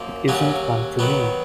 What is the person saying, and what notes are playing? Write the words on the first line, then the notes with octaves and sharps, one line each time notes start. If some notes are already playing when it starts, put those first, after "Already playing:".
It isn’t one to me.
Already playing: F#2 F3 A#3
D#2 C#3 F#3 C#4 F#4
D#3 F#3 B3